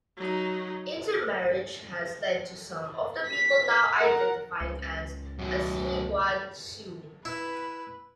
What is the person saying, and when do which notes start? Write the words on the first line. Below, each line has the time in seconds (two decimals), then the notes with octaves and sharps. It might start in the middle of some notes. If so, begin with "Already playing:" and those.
Intermarriage has led to some of the people now identifying as "Assiniboine Sioux".
0.17 F#3 D#4
3.26 B6
3.96 A#4 F#5
4.61 C#2
5.39 F#2 B2
7.25 E4 B4